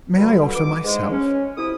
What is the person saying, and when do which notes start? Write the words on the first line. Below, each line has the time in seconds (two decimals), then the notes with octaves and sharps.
"May I offer myself?"
0.16 G2 B2 D3 G3
0.55 B2 E3 D6
0.83 G#2 G#3
1.10 C#4
1.56 F2 C3 E4 D#6